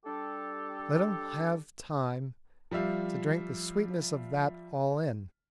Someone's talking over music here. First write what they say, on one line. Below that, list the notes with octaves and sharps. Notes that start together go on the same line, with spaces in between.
Let him have time to drink the sweetness of that all in.
G3 D4 G4 A4
F3 G3 D5 E5 F5